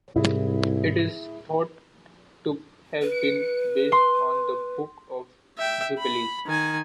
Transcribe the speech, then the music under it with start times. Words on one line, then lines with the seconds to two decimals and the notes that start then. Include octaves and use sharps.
It is thought to have been based on the Book of Jubilees.
0.16 C2 G#2 C3 E4 G#4
3.02 B4
3.92 C6
5.58 E5 G5
5.98 B5
6.46 D#3 G#5